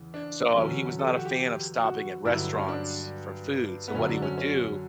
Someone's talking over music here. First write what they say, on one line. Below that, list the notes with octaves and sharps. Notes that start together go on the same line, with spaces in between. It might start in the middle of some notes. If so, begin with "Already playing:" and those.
So, he was not a fan of stopping at restaurants for food, so what he would do,
Already playing: E2 C#3 E3
D4
E2 D3 F#3 C#4
A4
G4
F#4
G4
F#4
G2 D3 F#3 E4
C#4
D4
B3
F#2 D3 F#3 C#4
D4
C#4
C#4